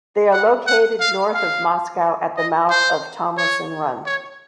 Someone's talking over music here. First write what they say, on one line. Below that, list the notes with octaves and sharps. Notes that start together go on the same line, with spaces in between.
They are located north of Moscow at the mouth of Tomlinson Run.
F#5
F#5
F5
F5
D#5
C5
C#5
C#5